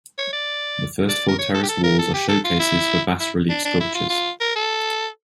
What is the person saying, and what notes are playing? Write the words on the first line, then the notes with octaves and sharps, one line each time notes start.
The first four terrace walls are showcases for bas-relief sculptures.
C#5
D5
D5
A#4
C#5
A4
G4
A4
A#4
A4
G4
A4
F4
E4
E4
D4
D4
E4
F4
F4
A#4
A4